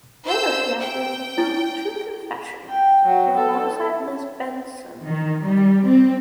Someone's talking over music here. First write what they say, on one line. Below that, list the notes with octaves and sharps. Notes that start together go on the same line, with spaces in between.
Later she acted in the film "True Confession" where alongside Liz Benson.
C5 E6 G6
G5
E4
G5
F#3
A4
D#3
G3
C4